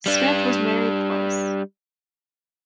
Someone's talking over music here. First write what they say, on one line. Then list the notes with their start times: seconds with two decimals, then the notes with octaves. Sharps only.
Smith was married twice.
0.06 G3 D4